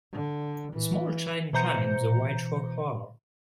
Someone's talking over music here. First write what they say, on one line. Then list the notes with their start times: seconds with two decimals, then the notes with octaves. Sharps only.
The small child climbs a white rock wall.
0.13 D3
0.72 E3
1.53 B2 E3 C5 A#5 G6 C#7